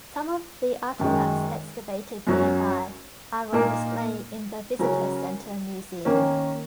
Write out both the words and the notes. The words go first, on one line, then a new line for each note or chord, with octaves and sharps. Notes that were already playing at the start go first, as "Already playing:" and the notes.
Some of the artifacts excavated nearby are on display in the visitor center museum.
F#2 D#3 G#3
F#2 F#3 C#4
A#2 A#3 D#4 A#4
C#3 F#3 C#4 A#4
D#3 A#3 C#4